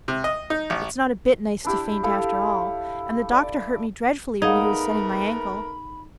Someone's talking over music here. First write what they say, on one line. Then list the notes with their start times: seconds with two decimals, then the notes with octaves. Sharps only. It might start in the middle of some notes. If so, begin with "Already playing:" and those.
It's not a bit nice to faint, after all. And the doctor hurt me dreadfully when he was setting my ankle.
0.08 C3
0.24 D#5
0.50 D#4
0.70 A1
1.65 D4 E4 G4
2.03 E4 A4 F5
3.31 D5
4.42 A3 B3 D#4 G#4 A#4 F5 F#5 B5